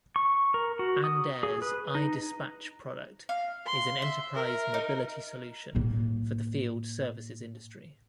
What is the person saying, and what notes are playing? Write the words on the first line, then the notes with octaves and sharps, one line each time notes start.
Andare's iDispatch product is an enterprise mobility solution for the field services industry.
C#6
A#4
F#4
D#6
G#4
B4
D#4
F5
C6
E5
A#4
D#4
A2 A#3